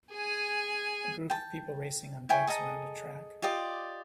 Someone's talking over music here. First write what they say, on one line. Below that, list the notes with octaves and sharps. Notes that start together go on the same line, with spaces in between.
A group of people racing on bikes around a track.
G#4 G#5
G5 A5
E4 G5 G#5 C#6
G#4 A4 D#5 A#5
F4 G4 D5 D#5